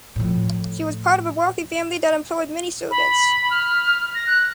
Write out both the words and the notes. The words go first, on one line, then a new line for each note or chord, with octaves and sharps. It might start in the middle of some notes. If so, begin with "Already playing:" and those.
She was part of a wealthy family that employed many servants.
A2 F3
B5
F6
A#6
F#6